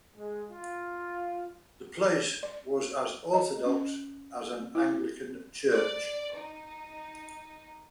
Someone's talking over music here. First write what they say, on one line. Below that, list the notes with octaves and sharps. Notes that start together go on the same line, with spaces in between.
The place was as orthodox as an Anglican church.
G#3
F4
D5
D#5
C#4
E4
D5
D#4